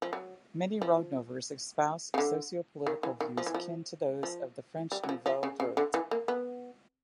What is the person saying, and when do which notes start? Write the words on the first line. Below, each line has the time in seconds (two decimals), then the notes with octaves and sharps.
Many Rodnovers espouse socio-political views akin to those of the French "Nouvelle Droite".
0.02 F3
0.13 F#3
0.82 F3
2.14 C#3
2.18 D3
2.87 D#3
3.03 E3
3.21 D#3
3.37 F3
3.46 E3
3.54 F3
4.23 F3
4.92 G3
5.03 F#3
5.09 F3
5.26 F3
5.43 C#3
5.60 C#3
5.77 D3
5.94 E3
6.11 A#3
6.28 B3